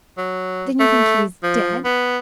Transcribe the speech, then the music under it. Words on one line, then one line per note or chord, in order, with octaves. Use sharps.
"Then you think he's--dead?"
F#3
A3
F3
B3